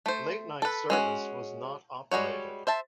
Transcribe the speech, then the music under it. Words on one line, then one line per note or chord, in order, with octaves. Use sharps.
Late night service was not operated.
A3 C5
A4 B4
G#3 C#4 F#4
G3 G#3 F#4 C#5
C5 E5 A5